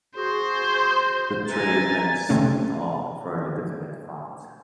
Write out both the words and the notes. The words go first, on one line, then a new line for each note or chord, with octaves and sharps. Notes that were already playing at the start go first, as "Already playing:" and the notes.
The trade winds meet along a fairly definite front.
F#4 G#4 C5
B4 E5 G#5 A#5 A6
C3 A3 C#4